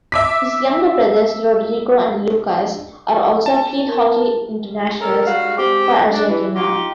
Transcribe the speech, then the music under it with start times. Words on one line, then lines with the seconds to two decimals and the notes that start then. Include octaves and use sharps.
His younger brothers Rodrigo and Lucas are also field hockey internationals for Argentina.
0.12 E5 D6 B6
3.46 A5
3.88 A#4
4.99 C#4 A4 A#4
5.25 G3 G#3 F#4 F5
5.56 G#3 C4 G4
6.11 D4
6.27 E3
6.55 D#4 F4 G4